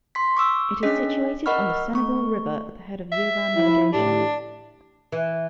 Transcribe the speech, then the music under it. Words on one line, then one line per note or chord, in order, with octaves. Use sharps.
It is situated on the Senegal River at the head of year-round navigation.
C6 B6
C#6 D6 E6
C#4 D4 G#4 D#5 B6
A#4 D#5 F#5 B5 C#6 F6
A3 C#6
E5
F3 E4
A2 D4 G4
E3